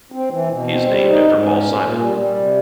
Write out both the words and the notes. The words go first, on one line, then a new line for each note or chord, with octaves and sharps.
He is named after Paul Simon.
C4
E3
B2
C4
G3
D#4
G#2
C#4
A#2
A#2
G3
G3
C3